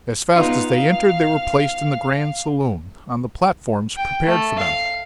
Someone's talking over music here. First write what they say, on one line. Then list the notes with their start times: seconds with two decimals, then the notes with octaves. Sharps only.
As fast as they entered, they were placed in the grand saloon, on the platforms prepared for them.
0.36 B3 D#4 F4 F5
3.96 G5
4.26 A3
4.58 F5